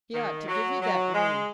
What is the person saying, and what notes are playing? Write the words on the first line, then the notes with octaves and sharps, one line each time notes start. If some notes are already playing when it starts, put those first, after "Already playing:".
He ought to give you that room.
D#3
F#3
F#3
G#3